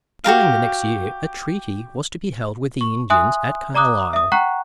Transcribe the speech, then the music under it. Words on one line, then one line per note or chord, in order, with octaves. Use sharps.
During the next year, a treaty was to be held with the Indians at Carlisle.
F#4 G4 A#4 F5
C#6
E5 G#5 C6 D#6 F#6
D5 A#5 D6 D#6 F#6
E5 D#6
F#5 G5 A#5 C#6 F#6